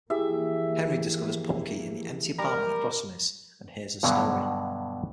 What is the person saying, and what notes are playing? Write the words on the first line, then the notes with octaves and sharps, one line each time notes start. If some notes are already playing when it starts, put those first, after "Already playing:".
Henry discovers Punky in the empty apartment across from his, and hears her story.
E3 F3 A#3 E4 G4 G#4 E5
G3 A#4
G2 B2 D3 F#3